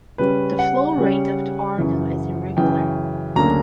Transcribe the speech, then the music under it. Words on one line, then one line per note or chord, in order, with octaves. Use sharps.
The flow rate of the Arno is irregular.
C#3 G3 C#4 B4
F#5
C#3 G3 C#4
F#2 C#3 E3
F#2 C#3 E3 G5
D2 C#3 F#3 A#3 D4 A#5